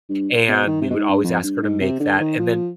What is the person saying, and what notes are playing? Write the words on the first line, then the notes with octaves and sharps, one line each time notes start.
and we would always ask her to make that, and then
G2
B2
D#3
C3
B2
G#2
G2
F2
G2
G#2
C3
D3
D#3
F3